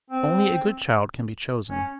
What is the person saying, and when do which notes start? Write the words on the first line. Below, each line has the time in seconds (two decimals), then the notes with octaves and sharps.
Only a good child can be chosen.
0.10 C4
1.71 C#4